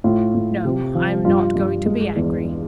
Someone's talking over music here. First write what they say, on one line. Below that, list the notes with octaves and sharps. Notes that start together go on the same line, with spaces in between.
No, I am not going to be angry.
A2 F4
A2
C3
F3
G2 F4
G2
G#3
E2